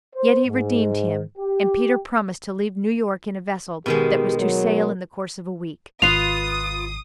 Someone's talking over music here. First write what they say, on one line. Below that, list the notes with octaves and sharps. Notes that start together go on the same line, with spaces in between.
Yet he redeemed him, and Peter promised to leave New York in a vessel that was to sail in the course of a week.
C5
G#2
G4
B2 D#3 G#3 G4
F#3
G#1 F4 B4 D#6 C7 F7